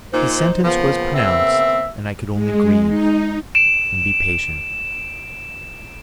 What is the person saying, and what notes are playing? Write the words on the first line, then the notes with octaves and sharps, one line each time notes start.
His sentence was pronounced, and I could only grieve and be patient.
A#2 D#4 C5
C#3 F3 A#3 B3
C4 E5
G#3
D#4
D7 E7